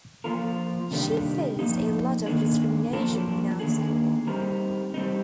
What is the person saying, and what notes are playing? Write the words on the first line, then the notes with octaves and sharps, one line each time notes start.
She faced a lot of discrimination in art school.
F3 A#3 F4 A#4
C3 D#3 G3 A#3 D4
F3 A#3 D#4
D#3 A#3 D4 G#4
F3 A#3 D4 F4 A#4
D#3 A#3 D4 G#4
G3 C4 D#4 A#4
G3 C4 D#4